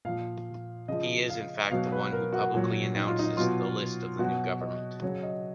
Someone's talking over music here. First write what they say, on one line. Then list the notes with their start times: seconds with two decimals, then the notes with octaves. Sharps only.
He is in fact the one who publicly announces the list of the new government.
0.05 A#2 F3 F5
0.88 C#3 F3 D#5
1.29 F5
1.71 B2 F#3 F5
1.92 B4
2.13 A#4
2.33 F#4
2.54 A#2 F#3
2.95 D#4
3.07 F4
3.19 D#4
3.37 B2 F#3 F4
4.19 B2 F#3 F#4
4.61 D#5
5.02 C#3 F#3 C#5
5.23 D#5